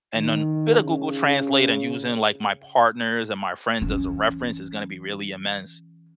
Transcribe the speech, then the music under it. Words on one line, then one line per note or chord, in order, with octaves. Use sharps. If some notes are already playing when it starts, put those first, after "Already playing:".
and then a bit of Google Translate and using, like, my partners and my friends as a reference is gonna be really immense.
D#3
C#3
E3 C#4